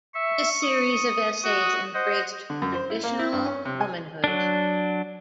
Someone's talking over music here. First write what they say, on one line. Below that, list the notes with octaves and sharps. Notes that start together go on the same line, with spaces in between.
This series of essays embraced traditional womanhood.
E5 C#6
D#6
F#4
C5 D#5 F#5
D3
F#2
C5
E4
A#3
E4
G2
C#4
C3
G#5
F#3 D4